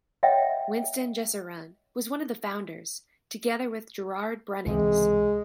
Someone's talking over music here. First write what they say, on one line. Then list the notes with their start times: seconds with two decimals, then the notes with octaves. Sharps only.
Winston Jessurun was one of the founders, together with Gerard Brunings.
0.23 C#5 D#5 E5 F#5 G5
4.66 C#2 C3 E3 G#3